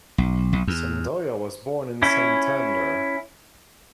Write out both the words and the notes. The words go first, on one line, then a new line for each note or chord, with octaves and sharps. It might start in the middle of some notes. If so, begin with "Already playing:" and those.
Cendoya was born in Santander.
B1
B1
E2
C#4 E4